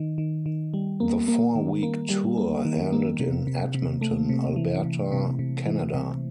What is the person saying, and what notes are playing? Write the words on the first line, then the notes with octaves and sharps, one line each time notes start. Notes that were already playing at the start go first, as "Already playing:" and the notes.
The four-week tour ended in Edmonton, Alberta, Canada.
Already playing: D#3
D#3
D#3
G3
A#3
A#3
D#3
A#3
G3
A#3
D#3
A#3
C3
C3
C3
A3
C3
E3
C3
C3
C3
E3
C3